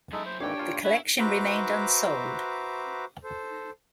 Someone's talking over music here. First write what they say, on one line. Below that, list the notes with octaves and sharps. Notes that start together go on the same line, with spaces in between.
The collection remained unsold.
F#2 G#3 D#4 E4 A4
C5
G#1 D#2 E3 D4 G4 C#5 F5 G5
A#2 F4 A5
B3 E4 B4 C#5 G#5
F#4 B4 C5 E5 A#5 D6
A4 C5